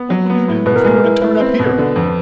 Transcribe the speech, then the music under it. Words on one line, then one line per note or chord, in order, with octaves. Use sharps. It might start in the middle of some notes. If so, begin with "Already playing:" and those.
What would you do if he were to turn up here?
Already playing: B3 B4
F#3
B3
A2
B2 B4
A#4
G#3 B4
E4
E4 B4
C4
B2
D3
F2